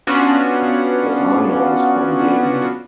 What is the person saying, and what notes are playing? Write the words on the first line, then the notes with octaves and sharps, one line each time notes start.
Rana is from Delhi.
B3 C#4 D4 F4 F#4